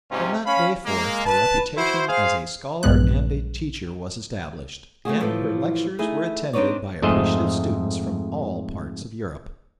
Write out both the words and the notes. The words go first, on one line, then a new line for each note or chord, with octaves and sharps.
From that day forth her reputation as a scholar and a teacher was established, and her lectures were attended by appreciative students from all parts of Europe.
G#2 C3 G3 C#4 F4
C#4 F5 B5
G#3 A#3
B4 A5
E4 F#4 C5
G#4 C5 F5
A#1 E2 G2 G#3 B3 F#6
A3 A#3 F#4 G#4
A2 E3 F3 G3 A4
A3 D#4 E4 G#4
C4 D4 D#4 B4 C#5 D5
F2 G#2 A3 C5 D#5